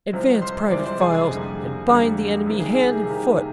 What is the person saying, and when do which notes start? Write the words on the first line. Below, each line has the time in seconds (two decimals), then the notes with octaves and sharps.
"Advance, Private Files, and bind the enemy hand and foot!"
0.13 C2 C3 F3 G#3 C4
0.42 C5 C6
0.71 C2 C3 F3 G#3 C4 D5 D6
0.85 C5 C6
1.00 G#4 G#5
1.14 G#4 G#5
1.30 F2 D3 G3 A#3
1.88 F2 D3 G3 A#3
2.46 C2 C3 D#3 A#3
2.60 G#4
2.74 G#4
2.89 G4
3.03 C2 C3 D#3 A#3 G4